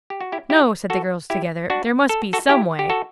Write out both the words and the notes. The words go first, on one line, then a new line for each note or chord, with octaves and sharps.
'No,' said the girls together, 'there must be SOME way.'
G4
F#4
E4 G4
E4 G4
F#4 A4
E4 G4
D4 F#4
A4
F#4 A4
E4 G4
G4
F#4 A4